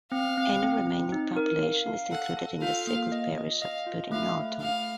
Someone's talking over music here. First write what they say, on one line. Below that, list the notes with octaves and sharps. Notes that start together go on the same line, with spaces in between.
Any remaining population is included in the civil parish of Pudding Norton.
C4 F5
C4
C4
C4
D#4
A#4
F5
F5
A4 F#5
A4
F4 F5
A#3
D#5
D#5
D#5 F5
F4
A3 F5
A3
A3 F5